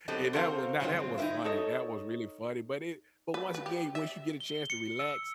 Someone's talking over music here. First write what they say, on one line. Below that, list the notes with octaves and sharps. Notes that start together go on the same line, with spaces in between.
and that was now that was funny. That was really funny, but it but once again, once you get a chance to relax
F#3 B3 C4 G4 A4 D#5
C4 F#4 A4 A#4 C5 F5
G2 D3 F#3 G#3 C4 F4
D#4 E4 A#4 B4 E5
D#4 A4 C#5 D#5
B4
B4
G4
E5
G7
C#7
E6